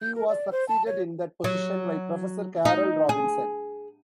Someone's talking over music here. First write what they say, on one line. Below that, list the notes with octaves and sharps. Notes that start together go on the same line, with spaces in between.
He was succeeded in that position by Professor Carol Robinson.
G6
A#4
D5
C5
A5
C#5
F#3
D#4
G#4